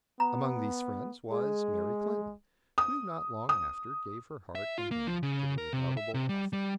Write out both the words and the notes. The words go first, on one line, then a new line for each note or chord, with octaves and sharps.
Among these friends was Mary Clinton, who not long after gave her heart and hand to the redoubtable author.
B3 A#5
G#3 G#4
D#6
D#6
E5
F4
A#3
F3
C#3
A#4
C3
E5
C3
G3
G3